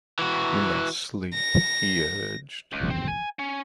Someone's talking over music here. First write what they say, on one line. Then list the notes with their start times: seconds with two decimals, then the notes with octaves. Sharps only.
You must sleep, he urged.
0.19 E3 F#4
1.35 A#6
2.73 C#2
2.90 C4
3.08 G#5
3.39 C#4